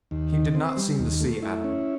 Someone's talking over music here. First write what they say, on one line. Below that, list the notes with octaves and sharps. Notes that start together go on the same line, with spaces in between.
He did not seem to see Adam.
D#2
D#3
C4
G3
D#2
A3
E4
C#4